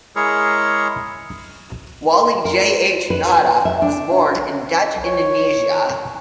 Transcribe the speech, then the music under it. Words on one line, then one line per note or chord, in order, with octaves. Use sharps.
Walle J. H. Nauta was born in Dutch Indonesia.
G#3 E4 G#4 A#4 C#5
A#4
B4
E5
D4
C#5